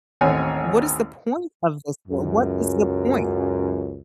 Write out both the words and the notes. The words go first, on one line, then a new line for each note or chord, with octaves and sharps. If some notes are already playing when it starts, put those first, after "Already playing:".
What is the point of this war, what is the point?
A1 D#2 C4 C#5 F#5 G#5
C#2 F#2